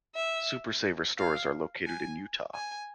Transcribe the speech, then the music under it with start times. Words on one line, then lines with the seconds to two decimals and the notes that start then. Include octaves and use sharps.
Super Saver stores are located in Utah.
0.15 E5
1.18 F5
1.86 G#5
2.54 G#5